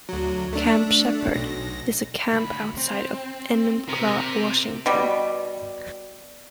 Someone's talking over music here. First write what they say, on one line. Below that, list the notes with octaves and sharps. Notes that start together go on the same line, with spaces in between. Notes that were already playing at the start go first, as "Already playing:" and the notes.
Camp Sheppard is a camp outside of Enumclaw, Washington.
D2 F#3
A3 D4
B1 A#6
D2 B5
C4
C3 A#4 C5
B2 G3